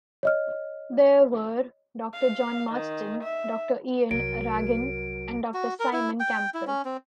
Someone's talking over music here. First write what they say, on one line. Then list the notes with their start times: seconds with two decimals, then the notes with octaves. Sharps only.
They were: Doctor John Marsden, Doctor Ian Ragan and Doctor Simon Campbell.
0.23 C#5 D#5 F6
2.14 F5
2.72 D#3
3.24 E5
4.11 C2 F#3 A#4 D7
5.54 F#4
5.80 A#4
5.93 E4
6.20 G5
6.54 E4
6.67 C#4
6.85 C4